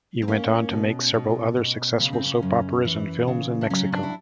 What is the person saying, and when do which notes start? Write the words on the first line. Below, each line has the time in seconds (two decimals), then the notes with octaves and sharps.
He went on to make several other successful Soap Operas and films in Mexico.
0.22 C4
0.28 A#3 C#4
0.71 B2
1.14 B2
1.57 B2
2.00 C#3 C#4
2.13 C4
2.26 C#4
2.42 F#2
2.85 E3
3.27 C#3
3.61 D4
3.70 F#3 C#4
3.92 D4
4.03 E4